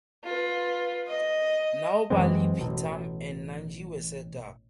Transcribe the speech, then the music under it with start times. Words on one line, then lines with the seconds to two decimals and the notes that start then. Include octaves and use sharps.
Now bali peetam and nandhi were set up.
0.23 F4 B4
1.08 D#5
2.10 F#2 E3 G#3 C4
2.59 A1 B2